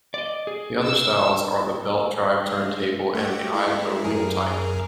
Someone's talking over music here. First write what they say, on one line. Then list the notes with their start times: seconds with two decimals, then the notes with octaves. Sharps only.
The other styles are the belt-drive turntable and the idler-wheel type.
0.14 D5 D#5
0.47 G#4
0.82 E6
2.46 G#3
3.15 A3 F#4 G4
3.53 G#3 E4 A4
4.04 F#2 G#4 A#4